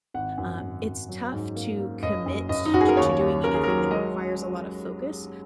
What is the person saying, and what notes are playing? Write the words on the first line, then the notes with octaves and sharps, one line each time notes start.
um, it's tough to commit t t to doing anything that requires a lotta focus
G#1 F#5
F#2
G#1
F#2
F#3
G#2
A#3
A#3
F#1 D#5
F#2
F#1 D#5
D#4
F#1 F#4
G#4
A#4
D#2 C#5
D#2
C#3 A#4
G#4
A#4
F#3
G#3 D#5